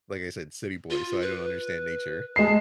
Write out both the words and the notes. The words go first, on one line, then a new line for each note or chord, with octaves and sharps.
Like I said, city boy, so I don't understand nature.
F4
B4
G#3 A5 C7